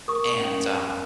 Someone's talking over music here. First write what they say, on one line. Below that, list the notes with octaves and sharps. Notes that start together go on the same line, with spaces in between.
And, um
A#4 C#6 D#6
A#4
C#4